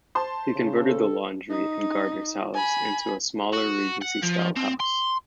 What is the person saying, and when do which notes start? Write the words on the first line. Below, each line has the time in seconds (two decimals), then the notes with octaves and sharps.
He converted the laundry and gardener's house into a smaller Regency-style house.
0.15 C5 A5 C6
0.56 C#3
0.86 A4
1.50 D#4
2.54 G#5 B5
3.53 F#4
4.01 F#5
4.23 F3
4.56 C4
4.80 C6